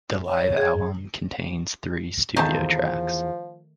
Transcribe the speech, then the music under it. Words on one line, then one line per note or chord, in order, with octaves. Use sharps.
The live album contains three studio tracks.
C#5
G#4 G#6
E2 D#3 F3 A3 D#4 C5 A5